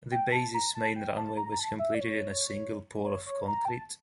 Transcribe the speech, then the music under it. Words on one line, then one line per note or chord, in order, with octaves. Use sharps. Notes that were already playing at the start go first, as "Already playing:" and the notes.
The base's main runway was completed in a single pour of concrete.
G5
A5
A#5
A5
G5
A5
A#5
A#5
A5
E5
D5
C#5
C#5
C#5
A#5
G5
A5